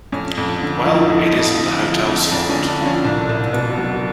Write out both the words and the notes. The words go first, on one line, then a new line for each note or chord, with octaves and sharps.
Well, it isn't the hotel's fault.
F2 C#4
F2
D3
F3 D#4
E4
D#4
F2
F2
D3
F3
F2
F2 D4
C#4
D3
D4
F3
C#4
C2 D4
C2
B2
F#3